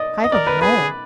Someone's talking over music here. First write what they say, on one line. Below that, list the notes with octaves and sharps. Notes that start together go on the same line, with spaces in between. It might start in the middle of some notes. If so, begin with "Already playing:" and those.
"I don't know."
Already playing: D5 D#5
D#5
A#4 D5
B4
G#4 B4